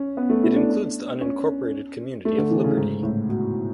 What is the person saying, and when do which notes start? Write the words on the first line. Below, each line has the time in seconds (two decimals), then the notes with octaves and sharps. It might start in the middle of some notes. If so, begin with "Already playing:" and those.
It includes the unincorporated community of Liberty.
Already playing: C#4
0.17 B3
0.30 A3
0.43 E4
0.56 D4
1.21 C#4
2.25 A3
2.38 D3
2.51 E3
2.64 C#3
2.77 G#2
3.03 A2
3.29 B2